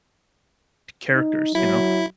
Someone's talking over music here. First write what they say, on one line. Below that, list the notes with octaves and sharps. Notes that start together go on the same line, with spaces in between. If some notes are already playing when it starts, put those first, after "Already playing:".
c characters, you know,
D#4
F#3 E4